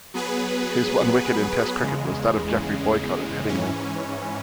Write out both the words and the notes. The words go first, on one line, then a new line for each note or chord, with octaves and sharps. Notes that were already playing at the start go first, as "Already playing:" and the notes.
His one wicket in test cricket was that of Geoffrey Boycott at Headingley.
F#3 B3 G#4 B4
E2 C#3 G#3
G#2 E3 C#4